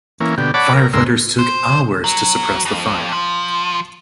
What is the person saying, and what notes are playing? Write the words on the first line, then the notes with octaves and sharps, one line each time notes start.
Firefighters took hours to suppress the fire.
E3 A#3 C#4
B2 D3 G4
C#5 D5 F#5 A5 B5 D6
A#4
D2 G#2 A#4 C6 E6
C5
F#3
F2
F3